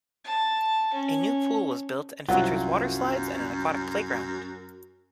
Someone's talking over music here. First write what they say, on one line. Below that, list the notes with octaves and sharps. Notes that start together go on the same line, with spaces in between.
A new pool was built and features water slides and an aquatic playground.
A5
C#4
C2 F#2 F#3 F4 F#5